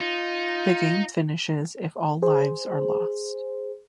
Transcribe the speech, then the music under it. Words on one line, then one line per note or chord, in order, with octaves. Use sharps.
The game finishes if all lives are lost.
D#4 F4
G#4 C5